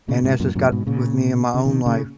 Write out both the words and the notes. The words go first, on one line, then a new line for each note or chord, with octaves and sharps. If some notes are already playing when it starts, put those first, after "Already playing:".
and that's just got with me in my own life.
A#2 C#3
G#2 B2
F#2 A#2
F#2 A#2
G#2 B2
A#2 C#3
C#3
B2 D#3
A#2 C#3